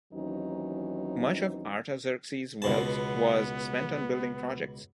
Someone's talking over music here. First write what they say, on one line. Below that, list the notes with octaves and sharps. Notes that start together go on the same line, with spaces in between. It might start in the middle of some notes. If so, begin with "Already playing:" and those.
Much of Artaxerxes' wealth was spent on building projects.
D#2 E3 F#3 C4 C#4 D#4
C#2 B2 B3 A5